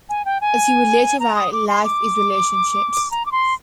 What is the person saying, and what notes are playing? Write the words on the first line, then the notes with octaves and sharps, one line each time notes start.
As he would later write, Life is relationships.
G#5
G5
G#5
A#5
D#6
D6
C6
D6
A#5
D6
C6